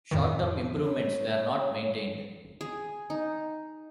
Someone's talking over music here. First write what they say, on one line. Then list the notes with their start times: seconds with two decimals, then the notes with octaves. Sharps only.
Short-term improvements were not maintained.
0.11 F2 A2 D#3
0.82 C#5
2.61 G#4
3.10 D#4